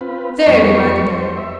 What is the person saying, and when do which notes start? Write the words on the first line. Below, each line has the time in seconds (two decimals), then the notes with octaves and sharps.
Very remarkable!'
0.01 C4 F4 B4
0.47 F2 G3 B3 C#6
1.10 C5
1.37 E5